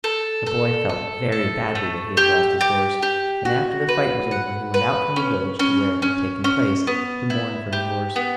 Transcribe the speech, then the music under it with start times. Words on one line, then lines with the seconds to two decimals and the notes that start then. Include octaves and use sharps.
The boy felt very badly that he had lost his horse; and, after the fight was over, he went out from the village to where it had taken place, to mourn for his horse.
0.04 A4
0.46 A4
0.89 A4
1.32 A4
1.75 A3
2.17 G4
2.61 G4
3.03 G4
3.45 F#4
3.89 B4
4.31 F#5
4.74 B4
5.16 C#4
5.59 C#4
6.02 C#4
6.44 C#4
6.87 B3
7.30 E4
7.73 G4
8.16 B3